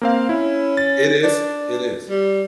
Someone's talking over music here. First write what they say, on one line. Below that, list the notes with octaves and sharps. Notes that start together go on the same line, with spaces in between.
It is, it is.
A#3 C4 F5
C#4 E4
A6
D4
G3